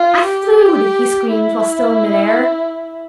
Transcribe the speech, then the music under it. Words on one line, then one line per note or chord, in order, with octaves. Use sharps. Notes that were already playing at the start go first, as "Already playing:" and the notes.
"I flewed!" he screamed while still in mid-air.
Already playing: F4
G4
E4